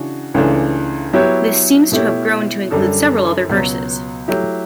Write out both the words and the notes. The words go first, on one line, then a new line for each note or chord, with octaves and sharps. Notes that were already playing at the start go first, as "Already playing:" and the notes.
This seems to have grown to include several other verses.
Already playing: C#3 E3 D4 F#4
C#2 C#3 E3 A3 D4
F#3 B3 E4 G4 C#5
B2 A3 E4 G4 C#5
F#2 D3 G3 D4 A4
C#2 B2 F#3
F#3 A3 E4 G4